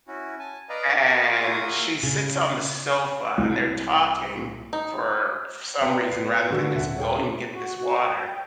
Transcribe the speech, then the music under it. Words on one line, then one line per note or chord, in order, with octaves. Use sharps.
and she sits on the sofa and they're talking for some reason rather than just going and get this water
C#4 E4 F#4
G#5 A5
B4 D5 D#5 F5 A#5
A#4 F#5 C#6 D#6
A#3 F4 F#4 G#4 E5 D#6
C#3
C2
D#4
B3 D5 G5 A#5 C#7
C7
D3 F#4 E6
D#1 E5 F#5
C#4 G#4 G5
F#4
G5